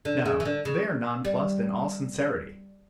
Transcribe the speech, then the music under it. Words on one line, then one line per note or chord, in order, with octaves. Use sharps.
No, they are nonplussed in all sincerity.
D3
C#3
E3
D3
C#3
G3